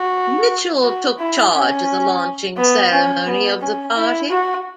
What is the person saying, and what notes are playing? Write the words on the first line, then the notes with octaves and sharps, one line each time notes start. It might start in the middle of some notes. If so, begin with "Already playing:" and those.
Mitchell took charge of the launching ceremony of the party.
Already playing: F#4
F#4
E4
C#4
B3
C#4
B3
C#4
E4
F#4